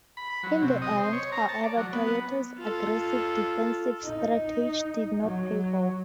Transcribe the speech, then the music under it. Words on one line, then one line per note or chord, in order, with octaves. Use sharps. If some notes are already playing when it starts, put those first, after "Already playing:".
In the end, however, Toyoda's aggressive defensive strategy did not pay off.
B5
B5
F#3
C3
D#5
C5
C#5
A#5
A5
D5
F#3
B3
F4 A4
D#4
F#3